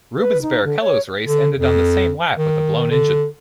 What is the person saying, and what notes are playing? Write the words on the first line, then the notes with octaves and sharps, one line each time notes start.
Rubens Barrichello's race ended on the same lap with a blown engine.
B4
D#4
D3
C#5
D3
F2
D#3
D3